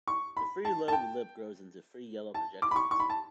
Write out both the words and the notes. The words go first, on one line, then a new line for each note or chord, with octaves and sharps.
The three-lobed lip grows into three yellow projections.
C#6
B5
A5
A5
G5
A5
D6
B5
C#6
C#6
B5
A5